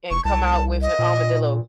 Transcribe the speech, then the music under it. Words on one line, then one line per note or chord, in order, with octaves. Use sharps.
and come out with an armadillo
F1 C#6
C2 A5
D#5
A#2